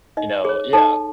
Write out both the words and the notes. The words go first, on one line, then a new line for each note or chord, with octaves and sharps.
you know yeah.
D#4 D#5
G#4 C#5
D#4 A4 A5